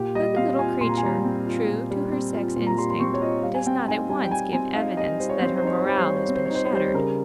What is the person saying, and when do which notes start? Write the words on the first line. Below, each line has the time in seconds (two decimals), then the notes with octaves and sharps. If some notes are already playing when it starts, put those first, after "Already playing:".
But the little creature, true to her sex-instinct, does not at once give evidence that her morale has been shattered.
Already playing: A#2 G4
0.15 G3 D#5
0.36 C4 F5
0.59 F4 G#5
0.81 A#2 C6
0.89 A#5
0.97 G#5
1.03 G3 A#5
1.24 C4
1.47 F4
1.68 A#2
1.91 G3
2.12 C4
2.34 F4
2.56 A#2
2.67 A#5
2.78 G3 C6
2.90 C6
3.00 C4 C#6
3.14 C#5
3.21 F4 D#5
3.43 G3 F5
3.55 G#5
3.66 C4 G5
3.88 D#4 G#5
4.09 G3 G#5
4.24 G5
4.31 G3 G#5
4.53 C4 G#5
4.75 D#4 F5
4.97 G3 D#5
5.20 G3 C5
5.30 C#5
5.38 C4 C5
5.48 C#5
5.57 C5
5.63 D#4 C#5
5.78 C5
5.85 G3 C#5
5.96 C5
6.07 G3 C#5
6.16 C5
6.26 C4 C#5
6.35 C5
6.45 C#5
6.50 D#4 C5
6.65 C#5
6.73 G3 C5
6.94 C#3 A#4